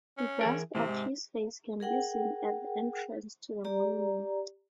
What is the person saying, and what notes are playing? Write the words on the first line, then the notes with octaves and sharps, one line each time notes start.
A bust of his face can be seen at the entrance to the monument.
C#4
E3 G#4 A#4
A2 C3 E3
G#2
G#4 A#4 F#5 G5
G4 D5 A#5